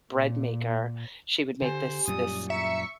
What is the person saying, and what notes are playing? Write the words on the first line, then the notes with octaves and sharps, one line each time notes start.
bread maker, she would make this this
A#2
D3 G4 C5 G#5
F#2 A#2 G3 D#6
E5 A#5 C#6 C#7